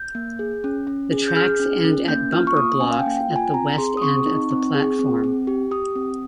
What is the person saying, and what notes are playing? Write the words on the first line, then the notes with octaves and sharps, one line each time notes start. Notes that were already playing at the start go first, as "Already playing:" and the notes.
The tracks end at bumper blocks at the west end of the platform.
Already playing: G6
A#3
G#4
C#4
C#4
G#4
G6
G#4 F6
C#4
C#4
A#3 G6
F4 F6
C#6
A#3 D#6
C#4 G#5
F5
G5
A#3
G5
F4
G#5
C4 A#5
G#4 C6
D#6
C4 C#6
D#4
C4
G#4
C4
C4
G4
G4 D#6
C4